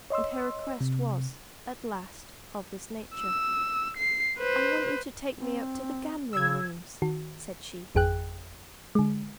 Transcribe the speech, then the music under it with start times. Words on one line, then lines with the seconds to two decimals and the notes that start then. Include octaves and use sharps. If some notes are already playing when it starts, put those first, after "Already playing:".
And her request was, at last, of this nature: "I want you to take me up to the gambling-rooms!" said she.
0.10 C#5 D#5 C6 E6
0.80 C3
3.17 E6
3.98 C7
4.39 B4 C5
5.34 C4
6.33 C#3 E6 G#6
7.02 D#3 F#4
7.95 G#1 F2 G#4 G5 F#6
8.95 D3 G#3